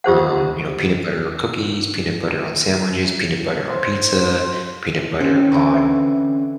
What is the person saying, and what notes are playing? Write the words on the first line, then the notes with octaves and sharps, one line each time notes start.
Um, you know, peanut butter on cookies, peanut butter on sandwiches, peanut butter on pizza, peanut butter on
F4 G4 C5 F#5
C5
C4 C#4
D3 E3